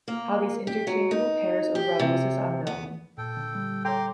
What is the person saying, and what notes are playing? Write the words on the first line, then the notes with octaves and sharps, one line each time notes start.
How these interchangeable pairs arose is unknown.
A#3
G4
F#3
D#4
G4
C3
B3
A#2 A4 G5
D3
G3
A4 C#5 G5 A#5 C6 D6